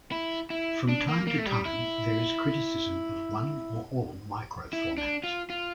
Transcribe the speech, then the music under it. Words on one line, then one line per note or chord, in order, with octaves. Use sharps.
From time to time, there is criticism of one, or all, microformats.
E4
E4
D4
A#3
A#3
A3
G3
E4
E4
D4
F4
F4